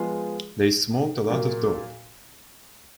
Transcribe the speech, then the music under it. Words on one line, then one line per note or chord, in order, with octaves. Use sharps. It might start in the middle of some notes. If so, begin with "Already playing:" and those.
They smoked a lot of dope.
Already playing: F3 G#3 B3 F4 G#4
A#2 F#3 A#3